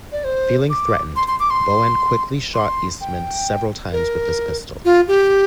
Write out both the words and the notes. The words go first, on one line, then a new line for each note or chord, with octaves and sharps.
Feeling threatened, Bohan quickly shot Eastman several times with his pistol.
D5
C5
D6
C6
C6
D6
C6
C6
G5
A#4
F4
G4